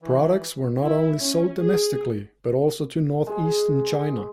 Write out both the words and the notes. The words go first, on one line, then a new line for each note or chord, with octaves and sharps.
Products were not only sold domestically, but also to northeastern China.
E3
E4
C#4
G#4
G#3